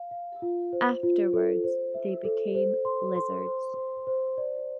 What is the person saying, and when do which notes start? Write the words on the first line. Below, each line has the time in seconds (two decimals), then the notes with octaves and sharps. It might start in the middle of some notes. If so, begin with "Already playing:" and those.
Afterwards, they became lizards.
Already playing: F5
0.11 F5
0.42 F4
0.73 C5
1.03 F4
1.33 A4
1.64 C5
1.94 E5
2.24 A4
2.55 C5
2.85 C6
3.16 C6
3.47 C5
3.77 C5
4.07 C5
4.38 D5